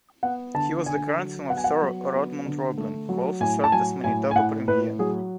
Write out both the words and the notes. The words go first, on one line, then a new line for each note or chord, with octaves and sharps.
He was the grandson of Sir Rodmond Roblin, who also served as Manitoba Premier.
B3 F#5
D3 A5
D3 G#5
F#3
B3 F#5
G#5
F#5
F#3
B3
D3
A3
F#3
A2 G#5
A5
F#3 G#5
A2 G#5
G#5
A2 F#5
A2 B4
F#3 G#4